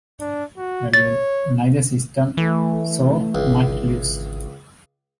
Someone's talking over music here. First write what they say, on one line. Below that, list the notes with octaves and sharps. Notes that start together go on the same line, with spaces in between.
Neither system saw much use.
D4
F#4
C#5 A6
E3 A3
G#1 C#2